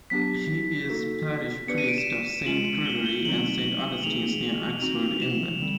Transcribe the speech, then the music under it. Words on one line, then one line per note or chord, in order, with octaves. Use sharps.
He is parish priest of Saint Gregory and Saint Augustine's near Oxford, England.
F#3 B3 D4 G4 B6
A#3 D#4 F#4 A4
B3 D4 G4 B4 D5 C#7
D#7
D7
E7
G#3 C#4 F4 F#7
G7
G7
D3 F#3 A3 C4 D#4 F#7
E3 A3 C4 D#4 G#4 F7
C4 D#4 F#4 F7
E7
D3 G3 C4